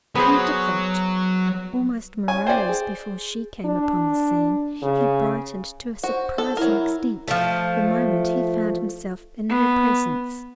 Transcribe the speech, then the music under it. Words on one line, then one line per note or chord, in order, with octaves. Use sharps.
Indifferent, almost morose before she came upon the scene, he brightened to a surprising extent the moment he found himself in her presence.
F#3 B3 G#4 C5
C#5 G#5
C5 D5 G5 G#5
G#4
D4
C#3
F#4 C5
A4
F#3 E4 A#4
F3 A3
B3